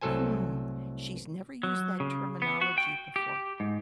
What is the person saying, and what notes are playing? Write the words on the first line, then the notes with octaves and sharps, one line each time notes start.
Hmm, she's never used that terminology before."
C2 A2 F#3 A4 C5 G#5
F#3
C#3
B3
F#4
G5
G4
G#2